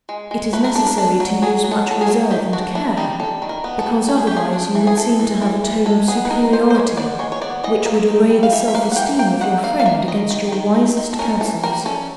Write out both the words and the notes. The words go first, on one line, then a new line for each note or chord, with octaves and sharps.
It is necessary to use much reserve and care, because otherwise you would seem to have a tone of superiority which would array the self-esteem of your friend against your wisest counsels.
G#3
G#3
A3 B4
A#4
D4 A4
A#4
D4 A4
F#3
F#3 G#4
F#3
A4
F#3 A4
G#4
F#3
D#3 G4
D4 F#4
D4 E4
G3 D#4
G3 A4
D#3
A#4
B3
A4
G3
A3 A4
G#4
A3 G4
G#4
D4
E3
G#4
E3 A4
E3
E3
E3
G#3 A4
B3 G#4
B4
D#4 A#4
G#3 C5
C5
G#3 C#5
B3 D5
G#3 C#5
C#5
B3 D5
E3 D#5
A#3
D#4
G3
F5
E3 E5
E5
A#3 F5
F#5
E3 G5
A#3 G5
D#3 F#5
A#3 F5
F5
A#3 E5
D#3 D#5
D#3
D#3
D#3
D#3
A4
C#4 A#4
E3 A4
G3 A#4
C#4 A4